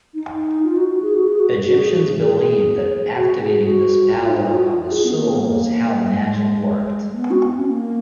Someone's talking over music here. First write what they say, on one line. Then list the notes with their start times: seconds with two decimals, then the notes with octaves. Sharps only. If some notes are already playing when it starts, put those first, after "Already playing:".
Egyptians believed that activating this power of the soul was how magic worked.
0.14 D#4
0.64 F4
0.77 F#4
0.90 F#4
1.02 G#4
1.15 F#4
1.27 G#4
1.40 F#4
1.65 F#4
1.78 G#4
1.90 F#4
2.03 G#4
2.15 G#4
3.16 F#4
3.36 F#4
3.41 G#4
3.66 F#4
4.16 F4
4.29 D#4
4.41 F4
4.54 F#4
4.67 F4
4.79 F4
4.91 G#4
5.04 B3
5.17 A#3
6.17 G#3
7.13 A#3
7.18 B3
7.31 F#4
7.56 C#4
7.69 A#3